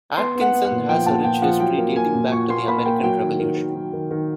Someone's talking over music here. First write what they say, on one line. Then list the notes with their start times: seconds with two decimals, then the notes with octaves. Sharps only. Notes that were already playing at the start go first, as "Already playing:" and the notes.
Atkinson has a rich history, dating back to the American Revolution.
0.17 B3 C6
0.35 B3
0.41 F#5
0.53 B3
0.65 F#5
0.71 A#2
0.89 F3 G5
1.06 A#2 A5
1.24 A#2 G5
1.42 F3 F#5
1.60 F#3 G5
1.78 A#3
1.96 A#3 G#5
2.14 A#2
2.32 A#2 C#6
2.50 A#3 C6
2.68 A#3 B5
2.85 A#3 G5
3.04 F#3 G5
3.21 D#3
3.40 D#3
3.57 D#3
3.75 F#3
3.93 D#3
4.11 D#3